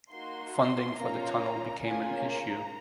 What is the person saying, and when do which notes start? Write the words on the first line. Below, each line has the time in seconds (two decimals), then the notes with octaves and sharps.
Funding for the tunnel became an issue.
0.11 A#3 D#4 F#4 C6
0.54 C6
0.98 A#3 C#4 F4 A#5
1.84 A#3 C#4 F4 G#4 G#5
2.28 A#5